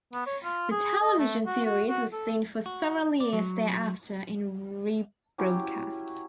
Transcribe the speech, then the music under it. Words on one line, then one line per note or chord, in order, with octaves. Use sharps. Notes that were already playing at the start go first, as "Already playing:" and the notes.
The television series was seen for several years thereafter in rebroadcasts.
B3
C#5
F4
G#4
D#5
A3
F#4
F#4
F#4
A4
F#4
D5
F#3
F#3 C#4 E4 G4